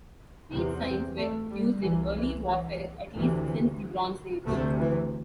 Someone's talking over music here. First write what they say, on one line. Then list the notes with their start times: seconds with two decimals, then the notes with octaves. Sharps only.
Field signs were used in early warfare at least since the Bronze Age.
0.51 E2 C3
0.83 C4
1.17 A3
1.50 G3
1.82 C2 C3 E3
2.16 E3
2.49 E3
3.14 D2 C3 E3
4.46 D2 C3 A3
4.80 E3